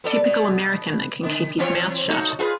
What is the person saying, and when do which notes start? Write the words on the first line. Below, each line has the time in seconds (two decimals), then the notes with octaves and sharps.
Typical American that can keep his mouth shut.
0.04 B3 A4 D5
0.24 B2
1.23 D3
1.58 E3 C4 C#5
2.08 A3 D#4 F#4
2.39 F4 G#4 B4